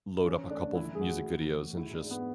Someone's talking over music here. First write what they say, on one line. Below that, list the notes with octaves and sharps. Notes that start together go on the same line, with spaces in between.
load up a couple of music videos and just
E3 C#4
A3 D4
E3 E4
G#4
A2 F#4
E3
A3
G#3 E4
D4
G#2
B3